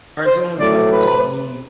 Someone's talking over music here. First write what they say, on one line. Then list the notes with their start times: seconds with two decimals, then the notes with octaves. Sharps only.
cartoons is like the Call of Duty
0.25 C5
0.58 A2 F#3 A3 D5
0.92 B4